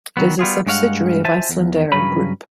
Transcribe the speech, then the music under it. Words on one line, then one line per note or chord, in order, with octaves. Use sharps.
It is a subsidiary of Icelandair Group.
D#3 F#3 B3
G3 B3 F4 G#4
G2 G#3 C#5 F5 F#5
C5 E5 G#5 A5
E2
G2 C#3 F#3 C#4 B4 B5